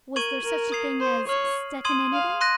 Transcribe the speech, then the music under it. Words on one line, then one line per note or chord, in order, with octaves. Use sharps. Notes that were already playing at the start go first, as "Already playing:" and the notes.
Was there such a thing as Stettininity?
A#4 C#6 G#6 D#7 F#7
A#4
D#6 G#6 C7 F7
C5
C#5 F6 C7 F#7
C6 D#6 G#6 D#7 F#7
F5
C6 F#6 A#6 D#7